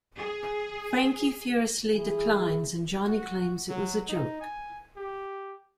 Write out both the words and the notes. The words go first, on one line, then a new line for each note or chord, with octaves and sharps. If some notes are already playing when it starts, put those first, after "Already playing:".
Frankie furiously declines and Johnny claims it was a joke.
G#4
E3 E4 G#4
F#4
F#3
D#4
G#5
G4